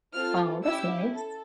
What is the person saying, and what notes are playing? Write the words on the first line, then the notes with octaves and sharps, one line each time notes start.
Oh, that's nice.
C4 F4 A4 F6
C#4 E4 G4 E6
A4